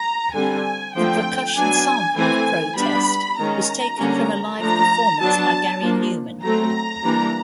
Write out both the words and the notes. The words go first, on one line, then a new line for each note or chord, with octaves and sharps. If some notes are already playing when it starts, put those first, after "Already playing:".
The percussion sample of "Pro-Test" was taken from a live performance by Gary Numan.
Already playing: A#5
D3 G3 C4 G#5
D3 F3 A3 C4 G5
F#3 B3 D4 G#5
E3 A3 C4 G#5
G3 B3 D4 B5
D#3 G#3 C#4 A#5
D3 G3 A#3 C#4
F3 A3 D4 A#5
F#3 B3 D4 A5
F3 A#3 D4
F#3 A3 C4 A#5
E3 G3 A#3 D4